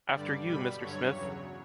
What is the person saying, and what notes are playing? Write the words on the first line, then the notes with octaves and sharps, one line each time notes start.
After you, Mr. Smith!
G2 D3 G3 D5
B2 G3 B5
G2 D3 F#3 C#5
E2 C#3 F#3